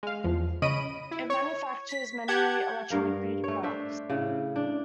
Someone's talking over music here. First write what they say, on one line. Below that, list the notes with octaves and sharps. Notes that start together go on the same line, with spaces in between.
It manufactures many electronic beauty products.
G#3 F5
E2 F3
C#3 C#4 D#5 B5 D7 D#7
E4
C#5
B6
G4 F#5 A5 G6 G#6
G2 A#4 F5
A3 C#5
A3 D4 C5 E5
A2 C#3
D4